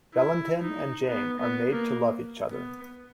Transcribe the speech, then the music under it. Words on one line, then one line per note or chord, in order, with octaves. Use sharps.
Valentin and Jane are made to love each other.
E4
D#4
B3
B3
A#3
B3